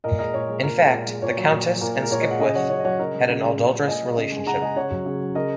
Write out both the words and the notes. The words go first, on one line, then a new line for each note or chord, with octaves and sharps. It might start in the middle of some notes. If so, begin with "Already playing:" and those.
In fact, the countess and Skipwith had an adulterous relationship.
A#2 A#4 D#5
G#3 A#4 D#5
A#2 C#5
G#3
A#2 A#4
G#3
A#2
G#3
A#2 C#5
F#3
A#2
F#3
A#2 A#4
G#3
A#4
A#2 C#5
G#3 D#5
F#5
C#3 D#5 G#5
F#3 C#5 F#5
C#3 C#5
D#5
F#3 C#5 F#5
C#3 A#4 D#5
G#3
C#3
G#3
A#2
G#3
A#2 D#5 G#5
G#3
C#3
G#3 G#5
C#3 F#5 A#5
G#3 D#5 G#5
C#3 C#5 F#5
F#3
C#3
F#3
C#3 A#4 D#5